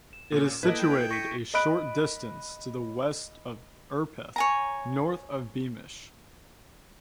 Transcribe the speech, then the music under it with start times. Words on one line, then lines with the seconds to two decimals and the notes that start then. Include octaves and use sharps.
It is situated a short distance to the west of Urpeth, north of Beamish.
0.13 E7
0.32 A#2 C#4
0.63 A#3 E4 A4 B4 D#5 G#6 D7
0.78 G5
1.11 C#6 A#6 B6 C#7 D#7
1.54 D#5 B5 F#6 D7
4.36 C#5 G#5 A#5